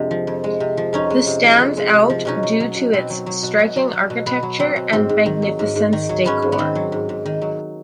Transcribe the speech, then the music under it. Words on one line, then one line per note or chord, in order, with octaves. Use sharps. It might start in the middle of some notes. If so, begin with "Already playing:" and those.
The stands out due to its striking architecture and magnificence decor.
Already playing: F2 C3 G#3 C4 D4
F3
F2
G#3
C3
F3
F2 C#4 D#4
G#3
C3
F3
F2
G#3
C3
F3
B2 C#4 D#4
F#3
F#3
B2
B2 C4
F#3
F#3
B2
B2
F#3
F#3
B2
B2 B3
F#3
F#3 C4
B2
G#2 C4
G#2
D#3
F#3
G#2
G#2
D#3
F#3
G#2 B3 C#4
G#2
B3
D#3 C4
F#3
G#2
G#2
D#3
F#3